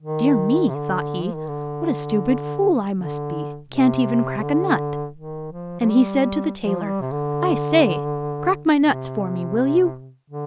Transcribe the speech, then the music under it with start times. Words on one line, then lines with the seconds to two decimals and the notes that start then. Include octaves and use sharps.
'Dear me,' thought he, 'what a stupid fool I must be--can't even crack a nut,' and he said to the tailor, 'I say, crack my nuts for me, will you?'
0.01 D#3
0.68 C3
0.75 D3
1.24 F3
1.36 D#3
1.48 D3
2.96 D3
3.69 C3
4.37 C3
4.42 D3
5.16 D#3
5.52 F3
5.80 F3
5.89 G3
6.62 F3
6.81 G#3
6.87 G3
7.01 C3
7.12 D3
8.83 C3
10.30 D3